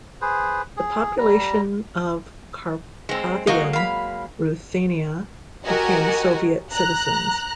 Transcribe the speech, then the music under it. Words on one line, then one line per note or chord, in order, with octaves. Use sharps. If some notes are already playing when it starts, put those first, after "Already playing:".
The population of Carpathian Ruthenia became Soviet citizens.
G#4 B4 C5
G#4
G3 A#5
G#3 C4
F#3 G#3 A#3 D#4 F#4
F5 B5
F#4 G4 A#4 D#5 F#5 G#5
A#5 F#6